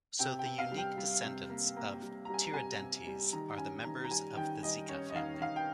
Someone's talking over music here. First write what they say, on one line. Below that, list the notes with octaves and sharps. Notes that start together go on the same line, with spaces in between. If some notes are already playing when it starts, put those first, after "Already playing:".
So the unique descendants of Tiradentes are the members of the Zica family.
C3 G5
G5
C3
F5
G3
G5
G3
C3
A#3
A#3
G3
G3 A#5
G#5
A#5
C3 G#5
C3
G3
D#3 A#5
C#4 G#5
D#3 A#5
A#5
G3 G#5
D#3 G5
G3 D#5
C#4 C#5
D#5
D#3 F5
D#3 F5
G5